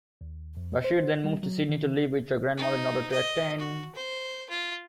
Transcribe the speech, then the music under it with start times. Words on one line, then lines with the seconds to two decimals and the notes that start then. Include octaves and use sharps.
Bashir then moved to Sydney to live with her grandmother in order to attend.
0.21 D#2
0.57 F2
0.84 C5
1.24 G3
1.43 F#3
1.69 D#3
2.57 D#4
3.11 D#5
3.60 F#4
3.95 C5
4.49 F4